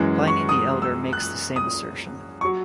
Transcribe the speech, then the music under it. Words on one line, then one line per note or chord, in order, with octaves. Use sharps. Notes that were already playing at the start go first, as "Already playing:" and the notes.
Pliny the Elder makes the same assertion.
Already playing: F#2 E3 G#3
C#6
D#6
E6
F#6
D#6
C#6
F#3